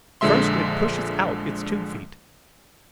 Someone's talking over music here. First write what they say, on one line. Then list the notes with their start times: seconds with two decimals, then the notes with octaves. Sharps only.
First, it pushes out its tube-feet.
0.21 A#1 D3 F3 G#3 E5 C6